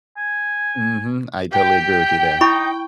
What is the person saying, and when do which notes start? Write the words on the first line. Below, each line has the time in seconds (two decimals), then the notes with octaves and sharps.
Mhm, I totally agree with you there.
0.17 G#5
1.53 G4 G5
2.41 D#4 E4 B5 C#6